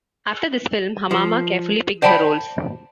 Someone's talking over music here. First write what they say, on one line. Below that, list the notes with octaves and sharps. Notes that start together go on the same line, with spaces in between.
After this film, Hamama carefully picked her roles.
F3
C5 D5 G5 A5 B5